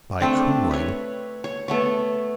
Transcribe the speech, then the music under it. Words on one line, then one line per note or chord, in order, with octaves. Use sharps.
"By cooling?"
A3 C4 D4
B4 C#5
C#5
A3 B3 C#5